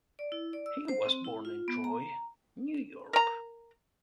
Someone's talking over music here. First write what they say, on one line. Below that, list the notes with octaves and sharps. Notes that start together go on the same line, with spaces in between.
He was born in Troy, New York.
D5
E4
D5
E6
C5
C4
E4
F4
B3
A#5
A#4 A#5